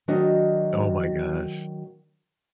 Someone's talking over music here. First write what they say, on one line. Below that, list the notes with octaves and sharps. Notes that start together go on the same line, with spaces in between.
Oh my gosh.
D#3 F#3 D4 F#4 D#5